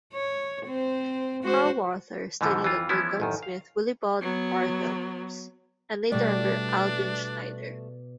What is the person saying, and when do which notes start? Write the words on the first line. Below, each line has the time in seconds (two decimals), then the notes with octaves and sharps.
Carl Walther studied under gunsmith Willibald Barthelmes, and later under Albin Schneider.
0.13 C#5
0.66 C4 C5
1.43 G#3 F#4 C5
2.41 G#2 B2 D3 E3 F3
2.62 F2 E3 F4
2.89 E3 F3 G#3 B3 C#4 E4
3.20 A1 F#2 D#3
3.43 F5
4.21 F#3 B3
6.12 B2 G3 A3 D4 D5